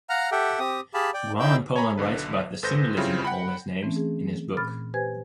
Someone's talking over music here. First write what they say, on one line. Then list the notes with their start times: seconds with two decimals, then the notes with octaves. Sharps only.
Guaman Poma writes about the symbolism of all his names in his book.
0.09 F5 F#5 A#5 F6
0.32 G4 A4 E5 F#5 G5
0.59 C4 G4 D#6
0.94 G4 G#4 F5 A5 B5
1.14 D5 G5
1.40 D#4 E4 G5 E6 G6
1.76 C#5 G#5 A#5 B5
1.98 B1 D3 B4
2.63 G#1 A4 B4 C5 G6 A#6
2.97 C#3 G3 C4 C#4 E4 F4
3.25 F#5 G5 B5
3.83 E3 A3 C4 C#4
3.96 G#4
4.57 A#2 B5 F6 A6
4.94 G4 B4 C5 G#5 G#6